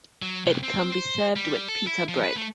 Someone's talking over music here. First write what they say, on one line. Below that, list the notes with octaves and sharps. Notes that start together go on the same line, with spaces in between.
It can be served with pita bread.
F#3
C2
C4
C5
G3
A4
E4
F3
B4
A3